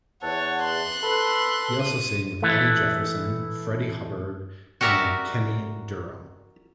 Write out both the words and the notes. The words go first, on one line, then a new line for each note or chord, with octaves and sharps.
He also sang with Eddie Jefferson, Freddie Hubbard, and Kenny Dorham.
E2 C#5 F#5 A5
C6 F#6
A4 B4
D#7
E3 A3
F#4 G4 A#4 D5 E5 F#5